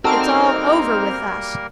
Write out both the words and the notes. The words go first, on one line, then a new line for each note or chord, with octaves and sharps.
It's all over with us.
G3 A#3 C4 D#4 F#4 A4 A#4 F6